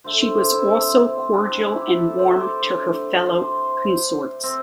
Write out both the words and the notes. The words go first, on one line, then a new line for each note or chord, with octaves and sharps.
She was also cordial and warm to her fellow consorts.
D3 A3 C5
C5
G4
E4
C4
C4
D4
E4 G4
E4
G4
G4 A4
C5
D5
D3 A3
C5
C4